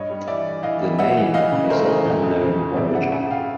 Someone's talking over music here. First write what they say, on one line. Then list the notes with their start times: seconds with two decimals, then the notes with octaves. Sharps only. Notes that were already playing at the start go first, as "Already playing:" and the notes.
The name is of unknown origin.
Already playing: G2 C#5 D#5
0.10 G3
0.28 E3 D5 E5
0.46 E3
0.63 E3 D#5 F5
0.80 G3
0.98 E3 E5 F#5
1.17 E3
1.34 E3 D#5 F5
1.52 C#3
1.70 A3 A#4 C5
1.88 E3
2.05 F2
2.23 F2
2.42 C#3
2.59 C#3
2.76 G#1 D5 E5
2.94 C#3 E5 F#5
3.12 C#3 E5 F#5
3.30 C#3 F5 G5